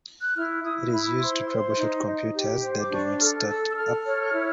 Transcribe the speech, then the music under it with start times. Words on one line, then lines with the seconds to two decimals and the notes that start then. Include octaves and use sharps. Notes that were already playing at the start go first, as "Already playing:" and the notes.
It is used to troubleshoot computers that do not start up.
0.22 F#6
0.35 E4 F6
0.64 E4 D#6
0.92 E4 B5
1.20 C5 C6
1.49 C5
1.77 D#4
2.06 D#4
2.35 G4
2.62 C5
2.80 D6
2.91 D4 C#6
3.19 A4 F6
3.48 A4 E6
3.69 E6
3.77 A4 F6
4.06 C#5
4.34 E4